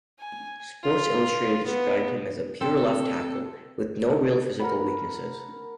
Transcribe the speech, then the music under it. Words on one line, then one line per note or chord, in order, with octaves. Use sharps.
"Sports Illustrated" described him as "a pure left tackle" with "no real physical weaknesses".
G#5
F4
B3
C4 A4
A#4 F#5 B5